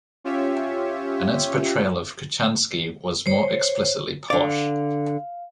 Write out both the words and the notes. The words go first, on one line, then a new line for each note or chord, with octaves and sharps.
Annett's portrayal of Kochanski was more explicitly posh.
C#4 F4 G4 C#5 E5
C5 C#5
D3 D5 F5